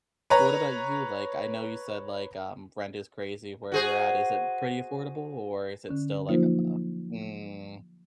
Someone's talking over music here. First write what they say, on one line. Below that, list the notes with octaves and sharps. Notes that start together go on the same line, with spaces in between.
What about you? Like, I know you said, like, um, rent is crazy where you're at, is it pretty affordable, or is it still, like, u uh mm.
B4 C#5 A#5
F#4 G#4 C5
D3 C#4
F3 F#3 A#3 D#4 F4 C5